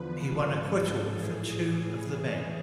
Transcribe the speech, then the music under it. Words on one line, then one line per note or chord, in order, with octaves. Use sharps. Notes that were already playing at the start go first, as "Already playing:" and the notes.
He won acquittal for two of the men.
Already playing: E2 D3 F3 B4
G#2 F3 A4
A2 E3 G#4